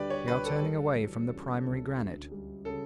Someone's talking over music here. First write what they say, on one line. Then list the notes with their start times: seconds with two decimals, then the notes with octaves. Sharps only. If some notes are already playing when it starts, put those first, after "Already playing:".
We are turning away from the primary granite.
Already playing: D2 D3 G3 G4 B4 D5
0.10 C#5
0.28 D2 B4
0.45 A4
0.62 G3
0.96 E3
1.29 C#3
1.63 C#2
1.98 D2
2.32 G3
2.65 C#3 A4